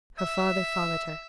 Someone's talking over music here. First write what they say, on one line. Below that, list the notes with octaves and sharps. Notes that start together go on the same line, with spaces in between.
Her father followed her.
E5